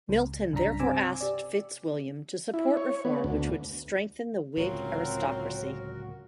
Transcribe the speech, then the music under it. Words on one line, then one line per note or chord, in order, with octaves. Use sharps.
Milton therefore asked Fitzwilliam to support reform which would strengthen the Whig aristocracy.
C#2
C2 G2 C#3 D4 A#5 B6
C3 C5 G#5 D6 E6
G4 D5
E4
C#5
B3
D2
D1 C#2 C3 C4 F4 F#4 A#4 C#5